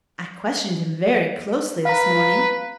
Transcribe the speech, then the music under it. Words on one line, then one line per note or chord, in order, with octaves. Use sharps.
I questioned him very closely this morning.
B4 F5 A#5